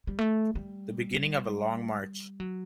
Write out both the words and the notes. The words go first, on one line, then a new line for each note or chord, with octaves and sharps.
The beginning of a long march.
G3
A3
G3
F#3